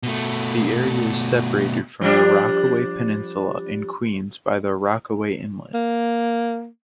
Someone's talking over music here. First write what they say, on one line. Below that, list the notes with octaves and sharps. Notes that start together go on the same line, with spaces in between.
The area is separated from the Rockaway Peninsula in Queens by the Rockaway Inlet.
B2 A3
F3 G3 D4
A#3